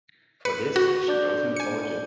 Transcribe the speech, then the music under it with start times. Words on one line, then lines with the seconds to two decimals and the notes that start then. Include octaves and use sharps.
For this she owes an apology.
0.45 B4 C#7
0.76 F#4
1.08 D4 D5 G6
1.56 G#5 C#7